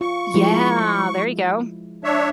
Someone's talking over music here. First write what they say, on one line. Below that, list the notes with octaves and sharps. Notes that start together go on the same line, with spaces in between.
Yeah, there you go.
F4 C#6
F3 G#3 E4
D4 C#5 E5